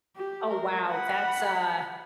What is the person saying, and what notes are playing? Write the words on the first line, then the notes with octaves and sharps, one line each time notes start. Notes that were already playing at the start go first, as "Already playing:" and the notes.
Oh, wow, that's a
G4
G#3 A#4
F#5 B5